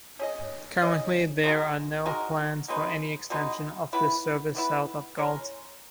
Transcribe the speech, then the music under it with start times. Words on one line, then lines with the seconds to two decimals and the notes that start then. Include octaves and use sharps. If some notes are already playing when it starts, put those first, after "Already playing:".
Currently there are no plans for any extension of this service south of Galt.
0.19 C#4 G#4 D#5
0.81 C#4 G#4 D#5
1.44 G#3 D#4 F#4 A#4
2.06 G#3 D#4 F#4 A#4
2.68 B2 G#3 B3 D#4
3.30 B2 G#3 B3 D#4
3.93 E3 B3 E4 B4
4.55 E3 B3 E4 B4
5.17 G#3 C#4 E4 A#4